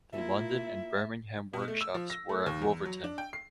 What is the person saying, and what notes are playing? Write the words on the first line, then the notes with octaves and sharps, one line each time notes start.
The London and Birmingham workshops were at Wolverton.
A#3 E4 F4 E5
B2
A3
E6
F3
A#6
A3
D#2
E2
F#3
D4
G5
C7